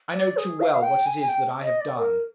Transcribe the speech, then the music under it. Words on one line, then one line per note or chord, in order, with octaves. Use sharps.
'I know too well what it is that I have done.'
D5
G#4
F5
F5
G5
G#5
G#5
G5
D#5
D5
A#4